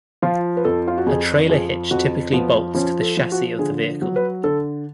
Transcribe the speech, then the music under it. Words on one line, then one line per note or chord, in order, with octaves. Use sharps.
A trailer hitch typically bolts to the chassis of the vehicle.
F3 F4
B4
F2 A4
F4
F#4
F2 G#4
F3 G#4
F2 F#4
F3 B3
F3 C#4
A4
F3
F#4
D3 G#4
F#3
B4
D3 A4